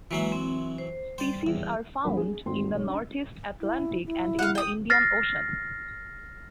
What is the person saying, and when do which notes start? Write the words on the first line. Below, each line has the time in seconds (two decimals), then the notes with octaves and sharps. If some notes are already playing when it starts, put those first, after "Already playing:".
Species are found in the northeast Atlantic and in the Indian Ocean.
0.11 E3 F#3 G#3 A#3 B4 E5
0.32 C4
0.78 C5
1.18 G3 C5 D5
1.47 E2
2.04 F1 A#1 G3 A#4 F#5 B5
2.17 G#4
2.46 G#1 D#3 A3 C4 F#4 C6
2.72 B1 C#5
2.86 C#4 D4 A#5
3.61 E4
4.06 E4
4.39 F5 F#5
4.55 G5 D#6
4.90 F6 A6 A#6 C7